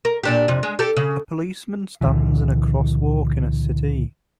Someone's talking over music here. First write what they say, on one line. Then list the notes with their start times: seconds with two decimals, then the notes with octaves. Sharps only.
A policeman stands in a crosswalk in a city.
0.05 A#4
0.23 A#2 D4 G4
0.48 F2 C3
0.63 G#3
0.79 G4 A4
0.97 C#3
2.01 C#2 A#2 D3 E3